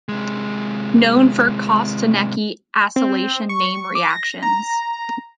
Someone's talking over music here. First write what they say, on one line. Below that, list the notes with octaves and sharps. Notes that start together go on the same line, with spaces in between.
Known for Kostanecki acylation name reactions.
C3 G#3
C4
C#6
D6
A#6
A#5